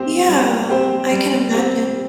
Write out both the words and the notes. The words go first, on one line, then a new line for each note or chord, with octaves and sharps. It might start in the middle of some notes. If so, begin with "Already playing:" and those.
Yeah, I can imagine.
Already playing: C4 G4 C5
G3
C4 G4 C5
G3
C4 G4 C5